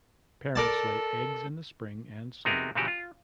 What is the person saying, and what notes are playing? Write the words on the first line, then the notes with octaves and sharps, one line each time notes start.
Parents lay eggs in the spring and summer.
A4 A#4 D5 A5
C3 B3 D#4 F#4 G#4 A#4
A#2 C#3 E3 F3 F#4 G4
F4